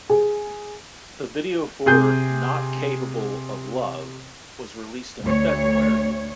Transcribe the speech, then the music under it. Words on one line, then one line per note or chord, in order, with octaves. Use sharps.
The video for "Not Capable of Love" was released in February.
G#4
C3 G#4 G6
D2 C#5